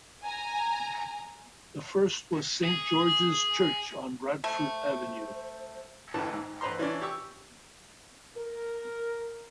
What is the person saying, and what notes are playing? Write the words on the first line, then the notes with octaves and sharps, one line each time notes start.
The first was Saint George's church, on Radford Avenue.
G#5 A#5
G#4
A3 C5
A1 D2 E3 A5
G#2
A1 B4 C5 A#5 C6
E3 C#4 D4
G4 C#6 E6
A#4